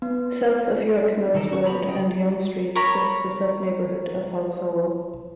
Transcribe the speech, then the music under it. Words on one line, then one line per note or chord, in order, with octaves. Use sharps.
South of York Mills Road and Yonge Street sits the sub-neighbourhood of Hoggs Hollow.
B3
D#3 F#3 A4 A#4
C#4 F#4 C#6
F3 B3 A#5 B5
C#3 C#4 D#5 G5
A#4 C#5 B5